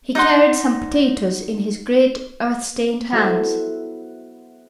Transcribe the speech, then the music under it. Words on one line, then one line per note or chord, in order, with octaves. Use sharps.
He carried some potatoes in his great earth-stained hands.
D#4 D5 F#5 C6
B3 E4 F#4 A4 B4 C5